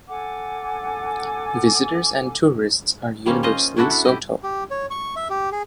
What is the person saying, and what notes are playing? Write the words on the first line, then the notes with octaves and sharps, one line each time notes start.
Visitors and tourists are universally "soto".
A4 F#5 G#5 D6
D#3 G3 A#3 C4 C#4
C#4 F4 C5 D#5
C#4 D4 E4 F#4 A4
E4
E4 G4 D#5
G4
C#5
C#6
E5
G4
G#4